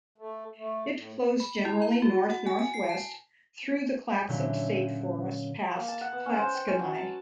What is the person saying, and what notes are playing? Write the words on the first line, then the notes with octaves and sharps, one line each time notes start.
It flows generally north-northwest through the Clatsop State Forest, past Clatskanie.
A3
A3
A2
B5
E4
A#5
F#4
F#5
G#5
G#5
C7
A5
A#2 D3 F#3 C#4 E4 G4
A#3
A5
F#5
B3
C#4
C5
G5
C#4
F#3
A5